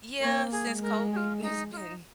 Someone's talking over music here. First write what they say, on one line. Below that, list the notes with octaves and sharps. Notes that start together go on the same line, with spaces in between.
Yeah, since COVID, it's been
A#3 C#5
G#4
G#3
A#4
G#4
F4
D#4
F4
D#4